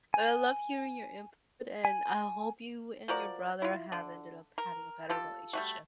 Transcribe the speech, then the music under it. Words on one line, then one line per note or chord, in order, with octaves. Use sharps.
But I love hearing your input, and I hope you and your brother have ended up having a better relationship.
G#5
G#5
F3 F#4 A#4 D5
E4 F4
D3
A#4
F4 G4 A4
G3 A3 F#4